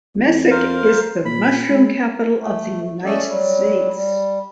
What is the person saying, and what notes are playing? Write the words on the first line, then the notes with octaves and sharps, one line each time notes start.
Mesick is the Mushroom Capital of the United States.
F2
A#4 C5 F5
A#2 B5
G#3
A3
A3 C#4 A4 D5 D#5
F#3 G3
G3